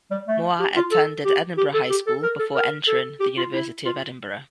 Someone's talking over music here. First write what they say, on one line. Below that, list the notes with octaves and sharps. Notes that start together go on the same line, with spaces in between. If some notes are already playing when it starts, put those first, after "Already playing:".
Moir attended Edinburgh High School before entering the University of Edinburgh.
G3
A3
G4
F4
A4
G4
G4
A4
G4
A4
A#4
A4
A#4
A4
G4
F4
E4
F4